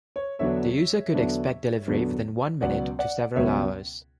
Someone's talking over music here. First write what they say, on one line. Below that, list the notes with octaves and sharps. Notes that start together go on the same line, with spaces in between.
The user could expect delivery within one minute to several hours.
C#5
E2 D3 F#3 B3 D4 C#5 E5
E2 D3 F#3 B3 D4
E2 D3 F#3 B3 D4
C#2 B2 F#3 B3 D5 F#5
D5 F#5
C#2 B2 F#3 B3 C#5 E5